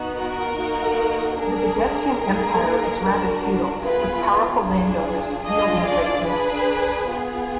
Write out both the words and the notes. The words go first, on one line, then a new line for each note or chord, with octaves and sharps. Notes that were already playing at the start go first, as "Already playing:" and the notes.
The Videssian Empire is rather feudal, with powerful landowners wielding great influence.
Already playing: B3 D#4 F#4
A#4
A#3 D#4 F#4
D4 G#4 A#4
A#3 D#4 G#4
D4 F#4
B3 F4 G#4 B4
D4 F4 G#4
D4 F4 G#4 D#5
D5
D4 G#4 B4
B3 F4 G#4